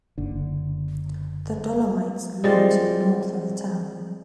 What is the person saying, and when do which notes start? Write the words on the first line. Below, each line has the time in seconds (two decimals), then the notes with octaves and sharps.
The Dolomites loom to the north of the town.
0.18 F#1 D3
2.44 G3 G#3 C4 F4